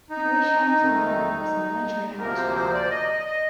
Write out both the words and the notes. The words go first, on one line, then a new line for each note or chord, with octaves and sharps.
Grisham's mother was a military housewife.
D#4
F2 D#3 A3
D2 C3 F3 A#3 A#4
C5
C5
D5
D#5
D#5
D#5